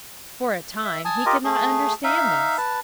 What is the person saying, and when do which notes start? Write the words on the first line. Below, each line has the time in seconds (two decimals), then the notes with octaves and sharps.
For a time he could not understand this.
0.84 E5
1.05 G#5 A5 D#6
1.26 F4 G4 A#4 D#5
1.44 A3 G#4
2.04 D#4 E5 F5
2.58 B4 A5